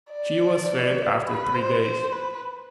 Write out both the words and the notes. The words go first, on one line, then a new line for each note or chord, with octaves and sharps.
She was fed after three days.
D5
B4
C5
C5
B4